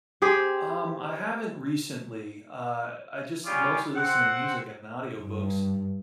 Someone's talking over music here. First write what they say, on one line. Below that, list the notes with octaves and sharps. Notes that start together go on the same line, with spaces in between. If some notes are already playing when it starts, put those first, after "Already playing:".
Um, I haven't recently, uh, I just mostly listen to music and audiobooks.
C4 G4 G#4
G3 C#4 F4 G#4 D6
C4 F#5
G2